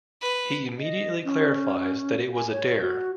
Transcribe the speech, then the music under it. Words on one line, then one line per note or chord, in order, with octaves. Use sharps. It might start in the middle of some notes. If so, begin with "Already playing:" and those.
He immediately clarifies that it was a dare.
B4
D#5
C#4
G#5
C#5
F#4